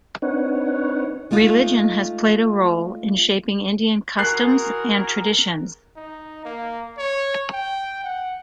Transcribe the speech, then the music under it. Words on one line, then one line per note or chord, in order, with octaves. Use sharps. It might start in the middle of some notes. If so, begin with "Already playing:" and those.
Religion has played a role in shaping Indian customs and traditions.
C4 D4 D#4 B4 C#5 F#5
G#3 A3 D#4 F4
E3 F#4 G#4 A#4 F#6 C7
D#4
A#3
C#5
G5
F#5